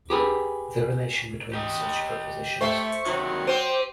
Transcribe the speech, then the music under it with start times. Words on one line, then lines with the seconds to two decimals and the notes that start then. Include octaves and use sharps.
The relation between such propositions.
0.10 G4 G#4 B4
1.53 G4 D#5
2.61 A3 C5 E5 C#6
3.06 C3 D#3 F#3
3.47 C4 G4 C5 D#7